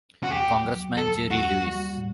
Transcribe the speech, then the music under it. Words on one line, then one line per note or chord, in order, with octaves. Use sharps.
Congressman Jerry Lewis.
F#4
D#2 G4
F#3
D#2 A4
D#2 F#4
G3
A2